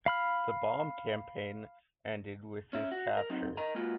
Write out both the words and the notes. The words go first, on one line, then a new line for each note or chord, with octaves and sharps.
The bomb campaign ended with his capture.
F5 B5 F6
C#4 E5
F#4
A#4
F#3 C4 D#4
A#4 D#5 A#5
G#3 A#3 B3 F4 F#4